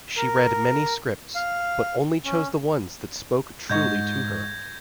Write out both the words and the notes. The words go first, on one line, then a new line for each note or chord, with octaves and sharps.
She read many scripts, but only chose the ones that spoke truly to her.
A#4
F5
C#4
G#2 D#5 C#6 G6 G#6 A#6